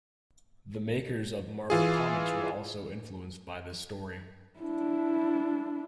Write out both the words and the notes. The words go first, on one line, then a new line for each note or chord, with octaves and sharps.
The makers of Marvel Comics were also influenced by this story.
E3 F4 G#4
D4 E4